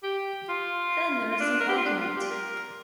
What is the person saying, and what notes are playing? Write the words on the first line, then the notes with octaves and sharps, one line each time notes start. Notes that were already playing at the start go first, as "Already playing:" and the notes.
Then there is some argument.
G4
F4
F4
D4
A#4
G4
F4
D4
F4
G4
A#4